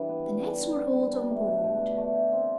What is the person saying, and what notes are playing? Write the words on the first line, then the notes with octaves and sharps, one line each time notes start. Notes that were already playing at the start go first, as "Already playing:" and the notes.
The nets were hauled on board.
Already playing: E3 G3 D4
B3
G3
D4
D3
B3
G3
D4
A3
B2
B2
D4
A3
G4
C4